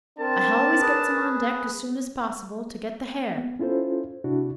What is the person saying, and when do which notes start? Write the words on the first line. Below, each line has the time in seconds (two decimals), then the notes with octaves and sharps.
I h'always gets them on deck as soon as possible to get the h'air.
0.18 C4 D4 A#4 A5
0.81 G#4 B4
3.38 B3
3.59 C#4 E4 F4 A4 C5
4.24 C3 D4 E4 F#4